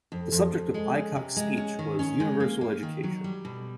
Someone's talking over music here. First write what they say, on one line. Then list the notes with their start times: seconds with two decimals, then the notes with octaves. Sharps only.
The subject of Aycock's speech was 'Universal Education'.
0.12 F2
0.32 F2
0.54 F2
0.74 G#3
0.95 C#4
1.16 C3
1.36 G#3
1.57 C#4
1.79 D#3
1.99 C#4
2.20 G#3
2.40 A#3
2.61 A#3
2.83 D#3
3.03 F#3
3.24 G3
3.45 B2